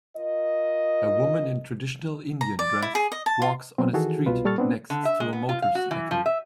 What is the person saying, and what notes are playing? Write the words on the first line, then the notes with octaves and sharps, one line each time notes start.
A woman in traditional Indian dress walks on a street next to a motorcycle.
F4 A#4 D#5
A#5
D5
E4
G#4
D#5
A5
F4
B2 F#3 C4
D#3 E3 F#4 G#4 A4
C2 B2 F4 B4
A#2 G3 A4 C#6 F6 A6
B3 C4 D4
D3
E5
G#3
B3
F4
F5
F#4
E3
F3
E5